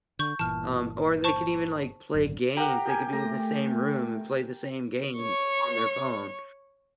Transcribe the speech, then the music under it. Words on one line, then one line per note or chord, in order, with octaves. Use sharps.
Um, or they could even, like, play games, they could be in the same room and play the same game on their phone.
D3 C#6 G6
G1 A#2 E3 A5 F6
C5 A5 C#6
G#1 F#2 D3
G4 A#4 F#5 A#5
G4 G#5
A3 A#5
C#5 C#6